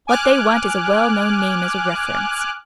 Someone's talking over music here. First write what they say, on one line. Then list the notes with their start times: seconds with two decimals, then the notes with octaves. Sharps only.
What they want is a well-known name as a reference.
0.07 G#5 D6 F6 F#6